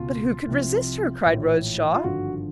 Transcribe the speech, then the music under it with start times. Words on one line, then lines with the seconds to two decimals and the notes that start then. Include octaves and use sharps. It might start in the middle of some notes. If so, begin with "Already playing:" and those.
"But who could resist her?" cried Rose Shaw.
Already playing: C#2 B2 F4
0.47 C2 C3 F3
1.26 A#1 A2 E3
1.94 F4
2.04 G#1 G2 D3 F3 F#4